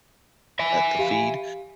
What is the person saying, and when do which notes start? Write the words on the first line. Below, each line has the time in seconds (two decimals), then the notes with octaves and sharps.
a at the feed,
0.59 E5 G#5
0.99 G4 F5